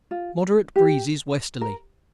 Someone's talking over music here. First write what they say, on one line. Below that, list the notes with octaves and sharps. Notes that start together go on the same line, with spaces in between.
Moderate breezes westerly.
F4
G4
A#4